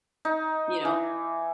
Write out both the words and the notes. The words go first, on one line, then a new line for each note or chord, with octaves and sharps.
you know
D#4
E3